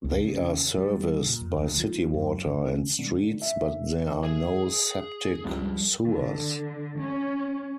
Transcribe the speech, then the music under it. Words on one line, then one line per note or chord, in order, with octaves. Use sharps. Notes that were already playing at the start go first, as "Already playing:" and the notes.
They are serviced by city water and streets, but there are no septic sewers.
C#2
C#3
G3
A#2
F2
D2
F3
F#2
D2
C#4
D3
E5
G#4
C#2 G2 F3 A#5
D3
C#4